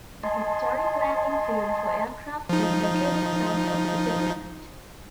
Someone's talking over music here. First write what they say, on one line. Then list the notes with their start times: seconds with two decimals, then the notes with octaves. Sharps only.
A historic landing field for aircraft is located south of the settlement.
0.23 D#5 G#5 A5 C6
2.49 F3 D#4